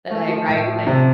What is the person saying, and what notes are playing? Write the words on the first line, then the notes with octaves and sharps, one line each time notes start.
that I write, like,
A3
F3
A2
F3
C3 F3